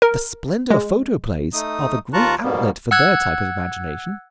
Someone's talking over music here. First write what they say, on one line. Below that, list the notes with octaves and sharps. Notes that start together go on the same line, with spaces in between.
The Splendor Photoplays are the great outlet for their type of imagination.
A#4
G#3
A3 D#4 D#6
D#2 F4 A5 A#5 C#6 F#6
G#2 B2 G3 A#3 B3
F#5 E6 F#6 G#6